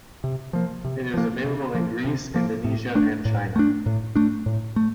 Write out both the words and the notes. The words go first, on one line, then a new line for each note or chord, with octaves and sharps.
It is available in Greece, Indonesia and China.
C3
F3 A#3
C3
F3 A#3
C3
F3 A#3
C3
F3 A#3
A2
A3 D4
A2
A3 D4
A2
A3 D4
A2
A3